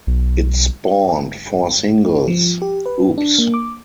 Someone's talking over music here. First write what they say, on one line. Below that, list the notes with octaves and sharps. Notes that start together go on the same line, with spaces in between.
It spawned four singles-Oops!...
B1
F3
G4
B4
D4
A#3
D6